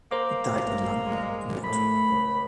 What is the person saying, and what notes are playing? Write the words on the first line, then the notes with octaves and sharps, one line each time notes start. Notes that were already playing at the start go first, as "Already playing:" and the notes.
He died in London, England.
A#3 A#4 C5 D6
A1 G2
G3 G#3
A2 A3 B5
C#2